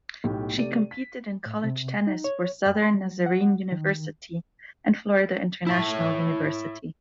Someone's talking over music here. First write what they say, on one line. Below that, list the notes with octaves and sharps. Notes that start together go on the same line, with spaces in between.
She competed in college tennis for Southern Nazarene University and Florida International University.
B1 A2 G4
C3 A3 D5 D#7
B6
A2
C3
D#4
C#5
F#2
C6
F#3
F#5
D#3
E4 C#5